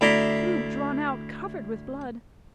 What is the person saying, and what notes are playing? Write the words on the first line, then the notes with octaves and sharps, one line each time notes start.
Tube drawn out covered with blood.
D2 E4 D5 E5 A#5 C6